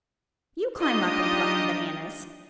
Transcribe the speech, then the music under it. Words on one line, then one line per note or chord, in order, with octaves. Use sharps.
You climb up and pluck the bananas.
F#3 D4 D#4 F4 G4 D#5